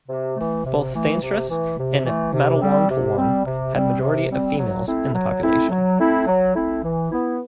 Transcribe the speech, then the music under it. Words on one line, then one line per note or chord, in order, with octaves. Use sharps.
Both Steynsrus and Matlwangtlwang had majority of Females in the population.
C3
E3 A3
C3
E3 A3
C3
E3 A3
C3
E3 A3
C3
G3 C4
C3
G3 C4
C3
G3 C4
C3
G3 C4
F#3
A3 C4 E4
F#3
A3 C4 E4
F#3
A3 C4 E4
F#3
A3 C4 E4
E3
B3 E4